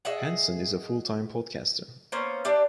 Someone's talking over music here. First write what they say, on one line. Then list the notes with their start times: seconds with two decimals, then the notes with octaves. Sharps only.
Henson is a full-time podcaster.
0.05 G#4 D#5 E5 F#5
2.12 A#3 B3 C#4 C5
2.45 D4 G4 D5 E5